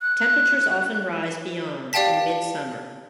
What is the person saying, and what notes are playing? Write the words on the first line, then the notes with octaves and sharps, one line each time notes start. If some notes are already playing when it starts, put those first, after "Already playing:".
Temperatures often rise beyond in midsummer.
F#6
G4 D5 F5 G5 A5 B6